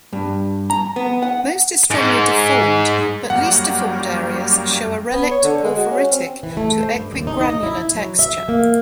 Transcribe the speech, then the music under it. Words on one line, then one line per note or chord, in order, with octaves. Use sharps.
Most is strongly deformed, but least-deformed areas show a relict porphyritic to equigranular texture.
G2
A#5
B3
F#5
G#2
F#2 G3 A#3 F#5
B3
C#5
D3
G#3
F#4
C#4
C4
E3
A3
C5
G2
D#2
D#4
D#5
E4
E4
F#3
E5
A#3